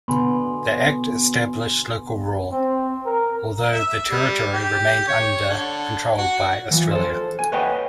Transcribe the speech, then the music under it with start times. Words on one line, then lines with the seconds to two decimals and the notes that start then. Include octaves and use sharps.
The Act established local rule, although the territory remained under control by Australia.
0.08 B2 D3 B3 G#5 B5 C6
2.52 C4
3.06 A#4
3.72 E5
4.10 G3
4.53 G4
5.08 C#5
5.49 D3
6.18 F#4
6.71 E3 F3
6.91 A4 C5
7.39 G#5
7.52 B4 C#5 D#5 F#5 G5